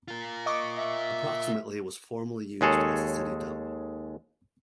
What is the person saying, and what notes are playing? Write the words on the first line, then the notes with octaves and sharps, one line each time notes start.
Approximately was formerly used as the city dump.
F4 A#4
D#5 C#6 D6
E5
D#2 G#3 G#4 A4 C#5